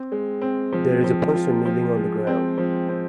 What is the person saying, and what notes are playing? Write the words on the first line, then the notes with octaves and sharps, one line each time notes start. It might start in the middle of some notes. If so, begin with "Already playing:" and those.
There is a person kneeling on the ground.
Already playing: C4
G#3
C4
F3
F3
F4
F3
G#3
C4
F3
C4